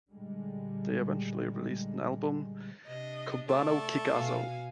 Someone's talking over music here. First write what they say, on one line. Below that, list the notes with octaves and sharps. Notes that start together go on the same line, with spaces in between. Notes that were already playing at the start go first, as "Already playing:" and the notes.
They eventually released an album Kubanno Kickasso!
A#2 D3 G3 G#3
C3 D4 D#5
A3 D5
B2 F#4 F5 G#5